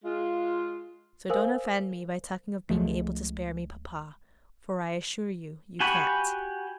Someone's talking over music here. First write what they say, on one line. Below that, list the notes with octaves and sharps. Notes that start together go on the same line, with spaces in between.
So don't offend me by talking of being able to spare me, papa, for I assure you you can't.'
G#3 F4
A#4 C5 F5 G#5 D#6 E6
C#2 F3 G#3 A3
F#4 G4 G#5 B5 C#6